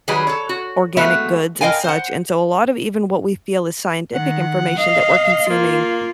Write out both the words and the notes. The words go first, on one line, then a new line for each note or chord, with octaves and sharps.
organic goods and such, and so a lot of even what we feel is scientific information that we're consuming
D#3 F#3 G3 G#4 B4
A4 C#5
F#4
G#3 A3 B3 F#4 E5 F5
A#4 B4 D#5 F5 G5 G#5
C5 F#5
D#3 F#5
D#5 F5
A#3 F4